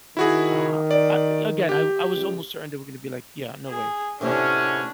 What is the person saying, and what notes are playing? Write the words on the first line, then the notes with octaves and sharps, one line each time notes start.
Uh, I again, I w I was almost certain they were going to be like, yeah, no way.
D#3 E4 F#4 G#4
D5
G4
C#2
G#4
C#2 A2 C3 B3 C#4 D4